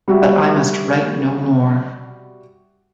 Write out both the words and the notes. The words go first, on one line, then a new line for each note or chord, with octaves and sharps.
But I must write no more.
G3 F#4 E5